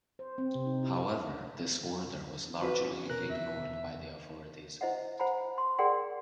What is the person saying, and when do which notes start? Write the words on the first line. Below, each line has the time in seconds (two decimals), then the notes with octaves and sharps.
However, this order was largely ignored by the authorities.
0.19 C5
0.38 C4
0.55 C3
0.66 D#4
0.84 E4
2.62 F#4 B4
2.84 C#4
3.10 B2 A#4 F#6
3.30 E2 E5
4.81 E4 C5 D#5 E5 F#5
5.19 C5 F#5 G#5 A#5 B5
5.58 C6
5.79 G#4 A#4 D5 F#5 G5 C6